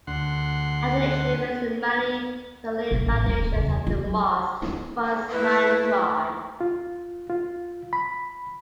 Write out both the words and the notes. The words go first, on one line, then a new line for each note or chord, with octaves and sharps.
After initially raising money to lay the foundations of the mosque, funds ran dry.
D2 F#5 C6
B1
A1
D#1
D1
C#3
E2
F4
F#3
A3 A#3 E4 B4
F4
F4
B5